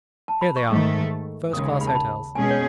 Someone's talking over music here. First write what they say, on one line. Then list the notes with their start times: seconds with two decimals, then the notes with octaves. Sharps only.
Here they are--first-class hotels.
0.28 A5
0.41 B5
0.56 C#6
0.70 G#2 D#3 A3
1.52 D#2 C#3 G#3 D#6
1.81 B5
1.87 A5
1.95 B5
2.35 B2 G#3 C#4 G#4 G#5
2.51 C#5